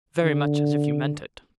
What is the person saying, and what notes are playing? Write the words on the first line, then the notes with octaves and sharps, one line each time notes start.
"Very much as if you meant it."
D3